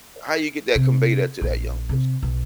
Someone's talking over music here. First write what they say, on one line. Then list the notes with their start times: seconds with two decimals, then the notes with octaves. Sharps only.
how do you get that convey that to that young person?
0.75 C3
1.42 A#1
1.89 C3
2.23 B1